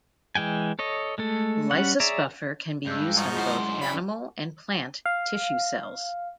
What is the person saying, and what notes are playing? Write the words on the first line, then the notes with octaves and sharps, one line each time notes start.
Lysis buffer can be used on both animal and plant tissue cells.
E3 G#3 G5 G#5
A4 C#5 D#5
G#3 A3 A4
G3 C#4 F#5
G#4 C#5 D5 E5 A#5
G2 G#3 E6 F#6 G6
F3 D#4 F#4
F#2 E4 C5 F#5
F#2 C#3 D5 G5 B5
F5